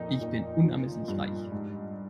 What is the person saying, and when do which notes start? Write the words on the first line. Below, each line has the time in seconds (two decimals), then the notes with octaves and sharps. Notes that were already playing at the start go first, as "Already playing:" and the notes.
Ich bin unermesslich reich.
Already playing: F2 A#2 D#4
0.21 A#2
0.64 F3
1.08 G2
1.52 G#2